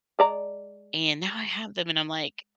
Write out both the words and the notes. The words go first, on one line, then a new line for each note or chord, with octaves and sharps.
and now I have them, and I'm like,
G#3 D5 A#5